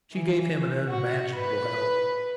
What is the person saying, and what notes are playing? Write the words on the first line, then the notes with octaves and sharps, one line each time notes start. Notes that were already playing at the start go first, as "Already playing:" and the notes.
She gave him an unimaginable hell.
E3
F#4
B4